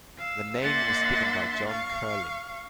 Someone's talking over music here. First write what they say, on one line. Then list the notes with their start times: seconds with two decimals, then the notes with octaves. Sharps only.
The name was given by John Curling.
0.18 F5 E6
0.62 A#3 D4 E5 F#5 C6 A6
1.69 F5 C#6